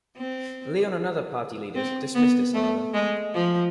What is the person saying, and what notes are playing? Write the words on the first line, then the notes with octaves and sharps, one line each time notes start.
Leon and other party leaders dismissed this, however.
C4
C4
B3
A3
G#3
F3